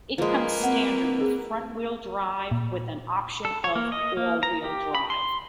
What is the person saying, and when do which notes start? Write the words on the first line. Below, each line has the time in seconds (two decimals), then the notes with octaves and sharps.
It comes standard with front-wheel drive with an option of all-wheel drive.
0.18 F3 G#3 A#3 B4
0.63 C4 F#5
1.21 G#4
2.51 A#2
3.45 A4
3.64 C#5
3.76 A#3
3.92 D#5
4.17 A#3
4.43 A#5
4.64 G4
4.95 B5
5.10 C6